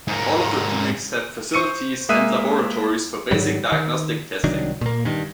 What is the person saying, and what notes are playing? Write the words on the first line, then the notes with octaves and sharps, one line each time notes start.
All of the clinics have facilities and laboratories for basic diagnostic testing.
G#2 A#3
C5 C#6 C#7 D#7
G#3 A#3 E5 D#6 F#6 D#7
G#2 D#3 F#3 G3
D#3
C2 D#3 F#3 D4
A#2 A#3
G2 D#3